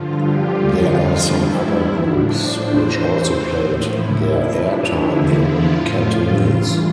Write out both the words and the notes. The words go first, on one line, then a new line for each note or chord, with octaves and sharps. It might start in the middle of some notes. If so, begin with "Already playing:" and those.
There are some other groups which also played their air time in Cantonese.
Already playing: G2 D3 F3 F4
G4
G2 D3 F3 F4
G2 F3 E4
A2 F3 D4
C5
E2 E3 C5
A2 F3
E4
F2 C3 F3 E4
D4
E2 D3 F3 E4
F4
A2 F3
G2 E3 F4